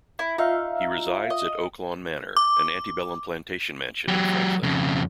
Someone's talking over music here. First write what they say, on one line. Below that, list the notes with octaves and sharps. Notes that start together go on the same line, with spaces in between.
He resides at Oaklawn Manor, an antebellum plantation mansion in Franklin.
E4
D#4 F4 E5 F5
D#5
D6
F#3 G4
F2 C#3